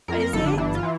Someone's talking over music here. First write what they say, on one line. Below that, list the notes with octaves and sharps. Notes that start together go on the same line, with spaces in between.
Is it?
F2 A#4
A#4
G1 A4
D4
E3 D4
F4
E3